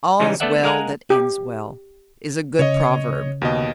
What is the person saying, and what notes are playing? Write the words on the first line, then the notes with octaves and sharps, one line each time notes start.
"All's well that ends well" is a good proverb.
C#3 E3 G3 G#3 D#4
A3 B3 A4 D5 E5 F#5
G#3 A#4 F5 F#5 G#5 A#5
G4
C#3 C#5 D#5
D#2 B2 D#5